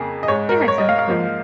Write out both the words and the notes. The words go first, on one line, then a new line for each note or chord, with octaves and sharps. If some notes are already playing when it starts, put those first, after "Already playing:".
Yeah, exactly.
Already playing: F2 C#3 A#3 G#4
D#5
G#2 G#3 C#5
A#4
C#5
D#5
F5
F5
G#2 F3 A#3